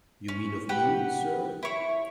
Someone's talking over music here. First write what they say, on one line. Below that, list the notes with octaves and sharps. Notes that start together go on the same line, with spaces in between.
You mean of me, sir?
C#4
G4 B4 F#5
E4 C#5